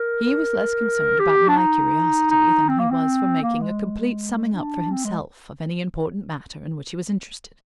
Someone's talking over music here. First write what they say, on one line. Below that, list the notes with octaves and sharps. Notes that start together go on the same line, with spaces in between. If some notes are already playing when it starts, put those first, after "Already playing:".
He was less concerned about my curiosity than he was for making a complete summing up for himself of any important matter in which he was interested.
Already playing: A#4
G4
D4
D#4
D#4
C4
A#3
C4
A#3
G#3
D4
C4
G#3